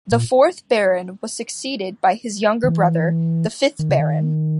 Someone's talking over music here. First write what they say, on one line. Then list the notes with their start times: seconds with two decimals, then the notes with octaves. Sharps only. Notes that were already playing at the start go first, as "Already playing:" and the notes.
The fourth baron was succeeded by his younger brother, the fifth baron.
0.12 A#2
2.64 D#3
2.69 E3
3.79 D#3
3.89 C#3
3.99 D#3